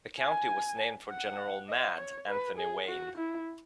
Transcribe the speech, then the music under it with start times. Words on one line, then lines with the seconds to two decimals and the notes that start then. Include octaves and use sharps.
The county was named for General "Mad" Anthony Wayne.
0.20 G#5
1.10 F#5
1.69 D#5
1.98 C#5
2.28 B4
2.58 G#4
2.88 F#4
3.17 E4